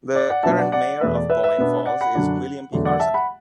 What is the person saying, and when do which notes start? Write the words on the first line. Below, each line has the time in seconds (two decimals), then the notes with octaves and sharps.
The current Mayor of Boyne Falls is William P. Carson.
0.15 D5
0.29 D5 F#5
0.43 B2 F#3 B3 D4 E5 A5
0.58 D5 F#5
0.72 D5 F#5
1.01 E2 B2 A3 B4 E5
1.15 D5
1.30 B4 E5
1.43 B4 E5
1.58 B2 B3 D4
1.86 D5 F#5
2.01 F#5 B5
2.15 F#2 D3 F#3 D4
2.72 E2 D3 F#3 A3
2.85 D5 F#5
3.00 E5 A5
3.14 F#5 B5